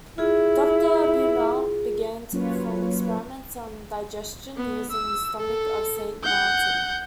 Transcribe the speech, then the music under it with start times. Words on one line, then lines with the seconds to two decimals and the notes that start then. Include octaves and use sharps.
Doctor Beaumont began to perform experiments on digestion using the stomach of Saint Martin.
0.18 E4 F4 G#4
2.32 F#3 A#3 C#4 F4 B4 C#5
4.57 B3
4.92 E6
5.40 A4
6.23 F#5 G6